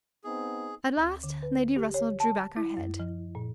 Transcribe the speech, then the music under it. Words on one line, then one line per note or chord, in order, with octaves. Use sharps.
At last, Lady Russell drew back her head.
B3 C4 D#4 G#4
D2
D3
B4
G4
C#5
A5
E4
F#2
F3
A#2